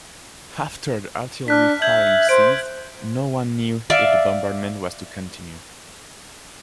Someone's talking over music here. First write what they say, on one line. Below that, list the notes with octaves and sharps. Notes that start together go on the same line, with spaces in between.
After the artillery firing ceased, no one knew if the bombardment was to continue.
D4 F6 F#6 B6
E5 G6 G#6 F#7
C5 D7
D5 E5 F5